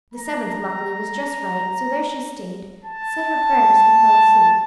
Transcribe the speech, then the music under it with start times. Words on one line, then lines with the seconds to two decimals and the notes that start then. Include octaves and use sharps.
The seventh, luckily, was just right; so there she stayed, said her prayers, and fell asleep.
0.14 A#5
2.85 A5